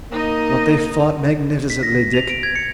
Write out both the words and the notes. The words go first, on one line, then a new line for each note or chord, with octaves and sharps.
But they fought magnificently, Dick!
A#3 D#4 D#5
B6
A#6
F7
D7
G#6
C#7